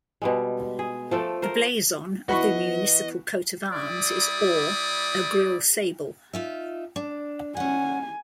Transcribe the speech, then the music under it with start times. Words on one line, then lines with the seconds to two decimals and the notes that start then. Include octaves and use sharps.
The blazon of the municipal coat of arms is Or, a Grill Sable.
0.22 B2 G3 G#3
0.79 G#4
1.11 F3 A3 A4 G5
1.42 A#4 C5
2.29 E3 B3 F#4 D#5 B5 C#6
3.74 G3 E4 D5 D#6
6.33 D#4 F4 E5
6.96 D4
7.57 C#4 F#5 G#5